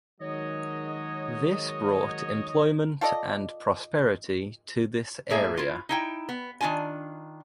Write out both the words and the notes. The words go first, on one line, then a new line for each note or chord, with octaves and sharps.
This brought employment and prosperity to this area.
D#3 F#3 G#3 C#5 D#5
F4 A4 D5 D#5
A2 A#3 G#4 E5
E4 F4
D#4 E4 G5
B3
D#3 A#3 D4 F4 G#5